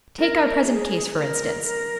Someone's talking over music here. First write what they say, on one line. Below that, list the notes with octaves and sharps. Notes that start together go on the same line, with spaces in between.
Take our present case, for instance.
A#4
G#4
A#4
A#4